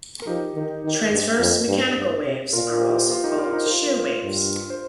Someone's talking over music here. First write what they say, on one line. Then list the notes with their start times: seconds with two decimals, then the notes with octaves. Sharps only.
Transverse mechanical waves are also called "shear waves".
0.22 A#4
0.27 F3 D#4 G4
0.55 D#3
0.84 D#3
1.12 G2
1.40 F2
1.68 G2
1.97 G2
2.25 C3
2.53 A#2 F4 A#4
2.81 G4 C5
3.10 F4 A#4
3.24 D#4 G4
3.38 F4 A#4
3.53 D#4 G4
3.67 F4 A#4
4.24 G2
4.70 C5